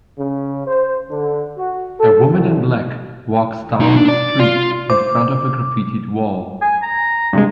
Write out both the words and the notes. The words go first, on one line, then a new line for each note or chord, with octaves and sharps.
A woman in black walks down the street in front of a graffited wall.
C#3
C5
D3
F#4
A4
C2
B1 D#4
D4
D5
F4
C5 D6
G#5
A#5
G2 C3 G#3